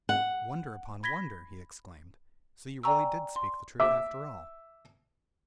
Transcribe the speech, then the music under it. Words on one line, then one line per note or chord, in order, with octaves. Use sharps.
'Wonder upon wonder,' he exclaimed, 'so you really did speak the truth after all!
F#5
B5 G#6 A#6 B6 G7
D5 G5 G#5 A#5 C#6 E6
C6
E5 D6